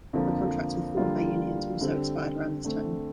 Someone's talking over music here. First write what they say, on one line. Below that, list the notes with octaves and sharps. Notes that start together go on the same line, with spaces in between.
The contracts with four of their unions also expired around this time.
F2 D3 F3 A#3
D3 G3 A#3 F4
D3 G3 C4 G4
D3 A3 C4